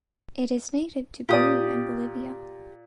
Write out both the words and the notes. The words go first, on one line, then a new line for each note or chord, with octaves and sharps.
It is native to Peru and Bolivia.
A#2 G4 D5 D#6